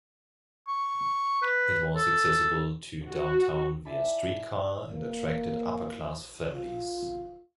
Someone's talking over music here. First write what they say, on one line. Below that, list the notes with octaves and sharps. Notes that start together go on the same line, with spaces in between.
It was accessible to downtown via streetcar and attracted upper-class families.
C#6
B4
A4
F#4
E4 D5 E5 G#5 A5 B5
A#3
F4